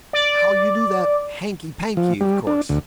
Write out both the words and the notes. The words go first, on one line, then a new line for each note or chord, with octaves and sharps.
"How you do that hanky-panky, of course."
D5
F3
G3
D4
D2